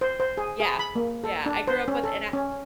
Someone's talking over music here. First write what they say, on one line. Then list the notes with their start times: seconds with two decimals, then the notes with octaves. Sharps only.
yeah, yeah, I grew up with and I
0.01 C5
0.20 C5
0.37 G#4
0.60 G#4
0.79 B5
0.95 A#3
1.24 A4
1.46 D4
1.67 C5
1.88 C#4
2.04 A4
2.33 C#4